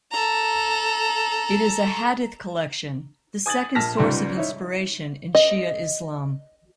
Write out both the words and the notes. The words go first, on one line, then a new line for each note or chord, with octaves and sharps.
It is a hadith collection, the second source of inspiration in Shia Islam.
A4 A#5
G#5 D#6 G#6 A6 F#7
A#1 A5 F6 A#6 B6
C#2 G#2 G3 C6
D#4 E4 C#5
D#5